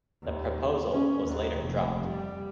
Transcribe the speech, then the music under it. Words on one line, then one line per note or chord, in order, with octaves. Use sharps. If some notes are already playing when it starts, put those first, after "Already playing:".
The proposal was later dropped.
D#2
C#4
D#2
F1
G3